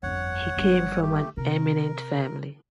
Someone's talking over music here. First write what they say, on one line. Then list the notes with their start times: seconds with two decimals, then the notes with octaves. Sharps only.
He came from an eminent family.
0.03 G1 F2 C#5 F#5
0.56 G1 G3
1.02 A3 G4
1.37 C3 A#4